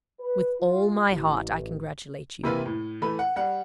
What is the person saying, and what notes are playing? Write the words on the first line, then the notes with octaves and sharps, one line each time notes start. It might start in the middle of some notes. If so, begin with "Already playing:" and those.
With all my heart, I congratulate you.
B4
F4
A1
C3 E3 A#3 E4 F4 B4
A2
E3 A3 B4 B5
F#5
G3 F#5